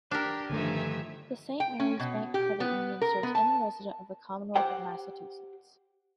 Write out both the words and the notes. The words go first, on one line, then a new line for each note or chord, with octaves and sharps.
The Saint Mary's Bank Credit Union serves any resident of the Commonwealth of Massachusetts.
D4 G4 A#4 A#5
G2 D3 D#3 F3 A3 E5 G#5
G5
C#4
B2
G4
B3
A#4
B3
A5
G4 C5 F#5 G5